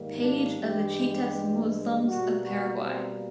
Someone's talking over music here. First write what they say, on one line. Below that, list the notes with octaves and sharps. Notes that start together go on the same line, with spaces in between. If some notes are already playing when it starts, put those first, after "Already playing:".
Page of the Chiitas Muslims of Paraguay.
Already playing: G#2 D#3 G3 A#3
D4
G2 E3 G#3 G4
B2 G3 A#3 F#4
F#4
C4